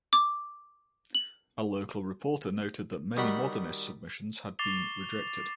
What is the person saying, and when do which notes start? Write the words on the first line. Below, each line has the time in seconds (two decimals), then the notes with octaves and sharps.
A local reporter noted that many "modernist" submissions had been rejected.
0.13 D6
1.15 F#7
3.17 D#3 G3 F#4 B5
4.59 C#6 D6 A6 C7 F7 G7